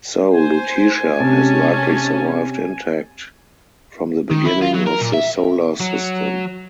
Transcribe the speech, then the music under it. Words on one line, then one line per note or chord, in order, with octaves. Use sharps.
So, Lutetia has likely survived intact from the beginning of the Solar System.
C5 G#5
C3 G#3 C#4 G4 A5
D#3
E4
F4
F#3
A#4
A#2
E5
F#3